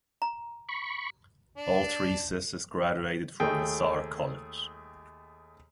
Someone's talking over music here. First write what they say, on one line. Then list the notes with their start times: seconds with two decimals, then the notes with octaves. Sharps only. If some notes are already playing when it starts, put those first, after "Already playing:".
All three sisters graduated from Vassar College.
0.22 A#5
0.69 B5 C#6
1.57 D4
3.40 D#2 A3 G#4 G5